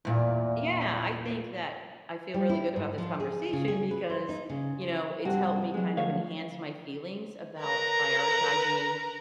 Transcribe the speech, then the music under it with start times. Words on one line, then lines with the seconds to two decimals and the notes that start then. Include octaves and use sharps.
Yeah, I think that I feel really good about this conversation, because, you know, it helped me kind of enhance my feelings about prioritizing,
0.05 E2 A#2
2.34 G3
2.49 E4
2.76 G#2
2.98 F3
3.20 G#4
3.53 C#3
3.68 G#4
3.91 B4
4.10 C5
4.29 D#4
4.49 C#3
4.81 F3
5.25 G2 C3 F#4
5.74 F#3 G#3
5.97 D2 F3 C#5 F5
7.58 A#4 B4 A#5